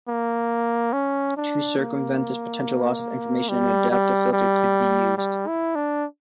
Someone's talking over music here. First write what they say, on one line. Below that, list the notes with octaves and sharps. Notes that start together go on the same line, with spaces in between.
To circumvent this potential loss of information, an adaptive filter could be used.
A#3
C#4
D4
A#3
G3
G3
G3
G3
E4
D4